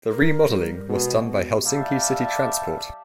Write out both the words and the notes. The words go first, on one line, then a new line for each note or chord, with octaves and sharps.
The remodelling was done by Helsinki City Transport.
A#4
G3
B2 G#3
G3 D5 E5 F5 A5